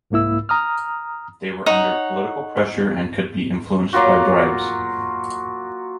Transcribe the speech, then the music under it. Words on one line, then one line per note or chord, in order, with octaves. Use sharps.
They were under political pressure and could be influenced by bribes.
C2 G#2 A#3 E4 E6
A#5 D#6 F6
D#4 C#5 F#5 A#5
F#3 A#3 F4 F#4